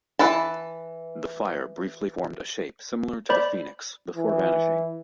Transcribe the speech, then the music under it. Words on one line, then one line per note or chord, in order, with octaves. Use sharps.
The fire briefly formed a shape similar to the Phoenix before vanishing.
E3 B4 A5
C5 D5 B5
E3